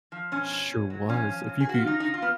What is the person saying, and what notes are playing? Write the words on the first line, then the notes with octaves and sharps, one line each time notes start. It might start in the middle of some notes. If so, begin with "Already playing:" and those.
Sure was. If you could
F3
B2 C#4
B2
B2
F#3
F3 C#4
F3
C#3
G#4
C#3 F#4
F4
C#3 D#4
D#4
C#3
F4
B3